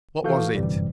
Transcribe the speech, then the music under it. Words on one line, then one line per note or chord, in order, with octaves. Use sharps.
"What was It?"
D#3 E3 F#4 A4 F5 G6
G1 F#2 A2 C3 E3 G3